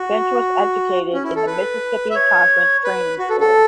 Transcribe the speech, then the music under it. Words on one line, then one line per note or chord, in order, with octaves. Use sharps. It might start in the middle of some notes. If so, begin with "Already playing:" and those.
Finch was educated in the Mississippi Conference Training School.
Already playing: F#4
C#4
E4
A4
B4
E5
C#5
B4
F#4
A4
A4